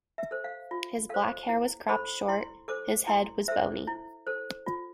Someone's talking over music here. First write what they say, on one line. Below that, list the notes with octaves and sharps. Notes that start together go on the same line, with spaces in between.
His black hair was cropped short, his head was bony.
E5
A4 C5
F5
F4
A4 C5 F5
E4
A4 C5 B5
E4 C6
A4 C5 D6
E4 C6
A4 C5 E5
E4
A4 C5
F4